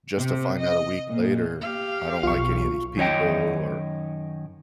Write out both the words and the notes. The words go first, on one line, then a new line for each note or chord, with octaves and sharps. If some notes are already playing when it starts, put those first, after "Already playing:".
just to find out a week later, I don't like any of these people or
C3
D#5
A#2
G4 F5
B1 F4 C#6
F#2 D#3 C#5 D#5 G5